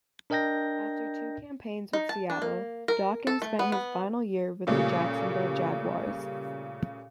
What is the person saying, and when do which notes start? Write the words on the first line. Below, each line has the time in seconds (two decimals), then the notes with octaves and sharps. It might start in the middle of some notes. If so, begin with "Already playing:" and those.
After two campaigns with Seattle, Dawkins spent his final year with the Jacksonville Jaguars.
0.30 D4 A#4 D#5 G5 G6 A#6
1.93 D#4
2.09 A5
2.30 D4
2.42 A#3
2.88 A#4
3.27 A4
3.42 A3
3.59 B3
3.72 B3
4.67 A#2 C#3 G3 A3